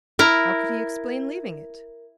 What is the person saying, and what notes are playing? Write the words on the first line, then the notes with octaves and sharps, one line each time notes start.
How could he explain leaving it?
E4 A#4